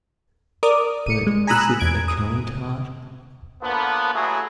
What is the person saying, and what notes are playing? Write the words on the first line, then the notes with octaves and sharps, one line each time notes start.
But is it a kind heart?
A#4 D5 D6 D#6
C#7 D#7
G#3
G#5 A#5 B5 D#6 E6 F#6
E2 G#6 D7
D#6
D3 F3 A#3 B3
A1 F#3 A3 E4 F#4 G#4